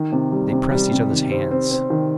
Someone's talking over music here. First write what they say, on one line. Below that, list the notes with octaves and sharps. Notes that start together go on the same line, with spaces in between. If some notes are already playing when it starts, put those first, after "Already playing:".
They pressed each other's hands.
Already playing: D#3
C3
G3
C3
G3
C3
D#3
C4
C4
C4
D#3